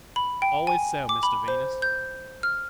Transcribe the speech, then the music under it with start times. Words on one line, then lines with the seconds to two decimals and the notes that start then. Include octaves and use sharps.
'Always so, Mr Venus.
0.16 B5
0.42 G5
0.67 G#5
1.09 D6
1.23 B5
1.48 C5
1.82 G6
2.43 F6